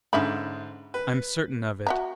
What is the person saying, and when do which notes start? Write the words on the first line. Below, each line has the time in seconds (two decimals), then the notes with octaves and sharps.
"I'm certain of it."
0.13 G#2 D3 C#4 E5 B5
0.94 B4
1.87 F#4 E5 A#5